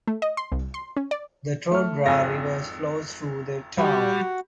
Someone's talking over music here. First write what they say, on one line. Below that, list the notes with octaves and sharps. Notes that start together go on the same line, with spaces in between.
The Tordera River flows through the town.
A3
D#5
C6
C2
C6
C#4
D5
A3 F6
G#1 F2 G#5 E6 A#6
G3 F#4 G4 F#5 B5